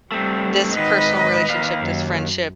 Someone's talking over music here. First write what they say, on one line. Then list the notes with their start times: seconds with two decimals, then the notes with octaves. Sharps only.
this personal relationship, this friendship,
0.12 G3 A3 C4
0.75 G#2 D#3 B4 D#5
1.50 D#2 F5
1.81 F#2